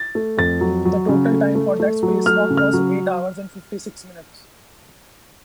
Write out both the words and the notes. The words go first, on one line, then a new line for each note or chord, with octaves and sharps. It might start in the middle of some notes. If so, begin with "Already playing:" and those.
The total time for that spacewalk was eight hours and fifty-six minutes.
Already playing: A6
A3
F2 A6
F#3
F#3
C#3
A3
A3
A3
F#3
A3 F6
C#3
F6
F#3